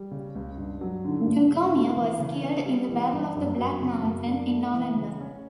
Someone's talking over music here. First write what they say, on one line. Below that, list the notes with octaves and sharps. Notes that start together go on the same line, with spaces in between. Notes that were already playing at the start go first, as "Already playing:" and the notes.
Dugommier was killed in the Battle of the Black Mountain in November.
Already playing: G3
C#3
C#2
G2
F#3
D3
G2
C#3
A3
E3
C#3
B3
G3
E3
G2
F#2
F#3
C#3
F#2
D4
A3
E3
C#3
C#4